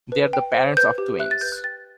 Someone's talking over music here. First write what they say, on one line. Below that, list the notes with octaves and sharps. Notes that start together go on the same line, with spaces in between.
They are the parents of twins.
B4
G5
C5
B4 G6
G4
E5 F#6
A6
B4 G6
F#6
G5 A6